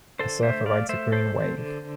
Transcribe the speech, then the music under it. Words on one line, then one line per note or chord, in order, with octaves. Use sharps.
A surfer rides a green wave.
D3 A4 C5
A3 C5 E5
A3 D5 F5
A3 C5 E5
A3 A4 C5
C4
D3